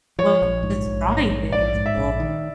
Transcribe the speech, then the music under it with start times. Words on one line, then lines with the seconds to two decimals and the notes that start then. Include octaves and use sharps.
Well, just drawing things o
0.19 F3 C#5
0.42 A#1
0.63 G#2
0.86 A#1
1.09 G#2
1.31 A#1
1.52 A#1 D5
1.75 G#2
1.86 E5
1.96 A#1
2.20 D#3